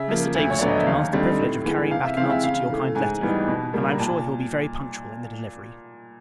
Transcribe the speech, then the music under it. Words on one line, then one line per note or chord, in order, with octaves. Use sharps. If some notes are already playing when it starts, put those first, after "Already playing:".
Mr. Davison demands the privilege of carrying back an answer to your kind letter; and, I am sure, he will be very punctual in the delivery.
Already playing: C#3 E5
F3 A#3
D2
C#5
D3 F#3 B3 D5
D#5
E5
D#2 F5
D3 G3 C4 D#4
A2
E3 G#3 B3
C3 F5
E5
E3 G#3 C4 F5
E5
C#3 F5
E3 A3
G#2 G#5
E3 G3 B3 D#4
B2
G3 A#3
A#5
A#2 A5